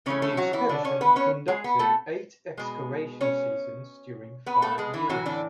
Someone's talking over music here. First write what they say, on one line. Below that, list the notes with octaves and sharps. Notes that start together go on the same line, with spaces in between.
The expedition conducted eight excavation seasons during five years.
C#3 E3 A3 C#4 C#5
A3 A4
F#3 F#4
E3 E4
D3 D4
C#4 C#5
B3 B4
C#4 C#5
G#3 G#4
B3
A3 A4
B2 G#3
C#4 C#5
B3 B4
A3 A4
G#3 G#4
E3 E4
A2 E3 F#3 F#4
D3 D4